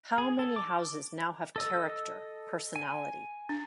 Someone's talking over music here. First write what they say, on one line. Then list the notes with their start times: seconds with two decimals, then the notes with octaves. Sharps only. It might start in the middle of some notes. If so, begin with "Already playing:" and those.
How many houses now have character, personality?
0.18 G#4
0.39 A4
0.56 D6
1.56 A4 D#5 E6
2.76 G#5
3.49 D4